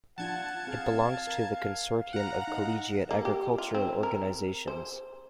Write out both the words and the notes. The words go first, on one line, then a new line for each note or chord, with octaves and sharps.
It belongs to the Consortium of Collegiate Agricultural Organizations.
F3 D4 F4 F#5 A5 G#6
C4 G#4 F5
A#4
F#5 A#5
D#4
A#3
G4
F4
C4
A#4
C5